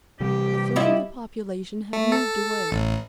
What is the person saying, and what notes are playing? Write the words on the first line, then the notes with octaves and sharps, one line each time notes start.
A third of the population had moved away.
C3 E3 G3 G4
E4 F4 D#5
A3
A4
A1